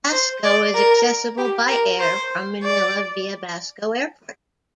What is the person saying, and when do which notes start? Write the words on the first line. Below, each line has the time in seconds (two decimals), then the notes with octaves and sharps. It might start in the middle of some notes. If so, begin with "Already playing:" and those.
Basco is accessible by air from Manila via Basco Airport.
0.12 C5
0.44 D5
0.75 A#4
1.38 G4
1.69 A#4
2.00 C5
2.63 D5